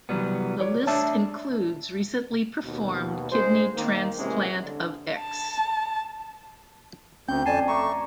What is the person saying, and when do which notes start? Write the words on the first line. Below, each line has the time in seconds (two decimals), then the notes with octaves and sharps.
The list includes recently performed kidney transplant of Ex.
0.09 C2 E3 F#3 G3 B3
0.61 C#5 D5
0.87 A3 D4 D5 E5 A5
2.64 D#2 B2
3.32 A#1 A#2 G#3 C5
3.74 D#3 A#3
4.17 C3 E3 G#3 A#3 C#4
4.64 D3
5.20 A5
7.28 D2 C4 C#4 G5 G6
7.46 F2 D5 G#5 A5 C7
7.68 A3 A#5 C#6 D6